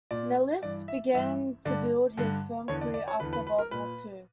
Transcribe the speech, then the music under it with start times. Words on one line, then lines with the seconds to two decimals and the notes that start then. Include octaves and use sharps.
Nalis began to build his film career after World War Two.
0.11 A#2 D5
0.62 G2 E3 D5
0.88 E5
1.13 G2 E3 E5
1.65 G2 D3 D5
2.17 G2 D3
2.68 E2 D3 C#5
2.81 D5
2.94 D5
3.08 C#5
3.20 E2 D3 B4
3.33 B4
3.47 B4
3.59 A#4
3.71 A#2 B4